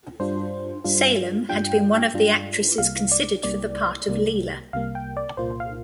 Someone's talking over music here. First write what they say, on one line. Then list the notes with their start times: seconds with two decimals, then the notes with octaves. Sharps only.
Salem had been one of the actresses considered for the part of Leela.
0.20 G2 G3 D4 F4 C5
0.84 G2 G3 D4 F4
1.49 G2 G3 D4 F4 G5
2.14 G2 G3 D4 F4
2.78 C2 C3 G3 A#3 F5
3.12 D5
3.43 C2 C3 G3 A#3 D5
4.08 C2 C3 G3 A#3
4.73 C2 C3 G3 A#3 F5
4.95 G5
5.17 D5
5.37 C2 A#2 A#3 F4 C5
5.60 F5